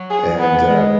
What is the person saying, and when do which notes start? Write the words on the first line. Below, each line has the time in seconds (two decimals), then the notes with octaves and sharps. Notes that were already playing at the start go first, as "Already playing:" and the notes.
and, uh,
Already playing: F#3
0.10 G#4
0.39 B3
0.66 G#3